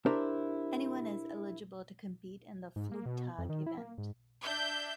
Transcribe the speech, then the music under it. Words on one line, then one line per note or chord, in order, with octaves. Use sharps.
Anyone is eligible to compete in the Flugtag event.
D4 E4 G4 A#4 C5
G#2
A#3
B2
F2
D#3
E4
A#3
G#2
D4 E5 G6